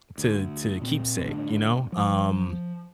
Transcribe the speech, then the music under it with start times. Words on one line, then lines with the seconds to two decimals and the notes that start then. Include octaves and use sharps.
to to keepsake, you know? Um
0.18 D2
0.82 A#2 C4
1.24 G1 A2 D4
1.92 F3